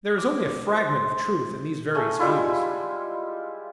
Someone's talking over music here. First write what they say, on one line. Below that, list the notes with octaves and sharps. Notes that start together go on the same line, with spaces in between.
There is only a fragment of truth in these various views.
D6
C5
A3 G#4
G3 G#3 E4 F4